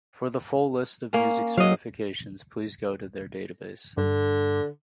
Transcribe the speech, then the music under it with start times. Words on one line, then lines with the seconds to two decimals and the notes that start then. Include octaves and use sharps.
For the full list of music certifications, please go to their database.
1.13 A#3 C#4
1.58 F#3 D#5 F5
3.97 G2 D3